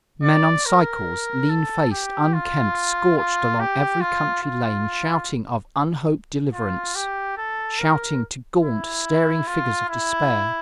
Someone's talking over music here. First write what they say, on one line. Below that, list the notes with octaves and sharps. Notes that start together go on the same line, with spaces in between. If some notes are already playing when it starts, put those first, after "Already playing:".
Men on cycles, lean-faced, unkempt, scorched along every country lane shouting of unhoped deliverance, shouting to gaunt, staring figures of despair.
D5
A#4
A4
G4
F4
F4
G4
F4
F4
F4
G4
A4
A#4
E4
F4
E4